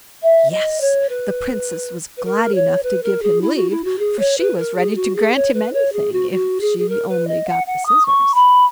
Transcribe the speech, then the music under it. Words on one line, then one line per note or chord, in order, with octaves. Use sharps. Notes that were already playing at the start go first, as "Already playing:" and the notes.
Yes! the Princess was glad enough to give him leave, for she was ready to grant him anything if she only got the scissors.
E5
D#5
C#5
B4
B4
A#4
C#5
B4
A#4
G#4
E4
F#4
E4
F#4
G#4
C#5
B4
A#4
G#4
F#4
G#4
C#5
B4
C#5
G#4
F#4
F#4
G#4
G#4
A#4
B4
D#5
F#5
F#5
D#6
C#6
B5